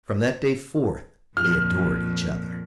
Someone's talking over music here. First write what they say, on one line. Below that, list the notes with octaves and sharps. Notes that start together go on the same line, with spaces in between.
From that day forth, they adored each other.
F2 A#2 F6